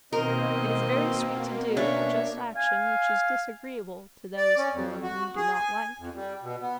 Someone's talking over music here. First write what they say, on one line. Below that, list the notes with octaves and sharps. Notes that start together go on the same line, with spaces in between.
It is very sweet to do a just action which is disagreeable to those whom we do not like.
B2 D#3 A#3 C4 A#4 C5 D#5
B3 C#4 D4 C#5 E5
F5 G#5
D5
C#4
F2
F#4
G#4
G#5
F2
G3
B2
B3